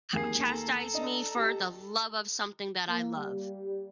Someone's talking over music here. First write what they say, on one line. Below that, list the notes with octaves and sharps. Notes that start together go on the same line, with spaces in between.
h chastise me for the love of something that I love,
D#2 A#3 G#4 C7
A4 A#5
D4 D#5
G4
A#3
G3